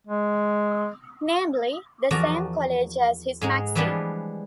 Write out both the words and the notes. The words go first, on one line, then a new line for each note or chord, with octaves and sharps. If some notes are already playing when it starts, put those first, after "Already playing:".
Namely, the same college as his "Maxie".
G#3
E2 F3 F#4 A#4 D5 A#5
G#2 G#3 D#4
E3 F3 G3 G#3 B3 D4